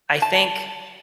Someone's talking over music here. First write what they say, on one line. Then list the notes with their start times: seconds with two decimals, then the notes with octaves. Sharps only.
I think
0.22 A5